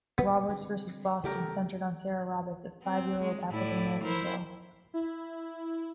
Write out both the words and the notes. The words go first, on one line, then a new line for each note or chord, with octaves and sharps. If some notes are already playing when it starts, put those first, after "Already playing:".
"Roberts versus Boston" centered on Sarah Roberts, a five-year-old African-American girl.
A#2 B3
D3 G3 C4
C#3 G3 A3 G4 A#4
C4
G#3
A2 E4 D5
E4 A#4 C5
E4